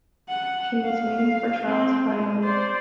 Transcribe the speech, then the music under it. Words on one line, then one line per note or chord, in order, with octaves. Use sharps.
She was named for Charles Putnam.
F#5
F5
C4
G#3
C5 D5